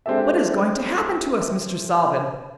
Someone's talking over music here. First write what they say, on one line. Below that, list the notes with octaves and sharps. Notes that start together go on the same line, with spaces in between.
What is going to happen to us, Mr. Salvin?
G#3 C4 D4 G4 A4 E5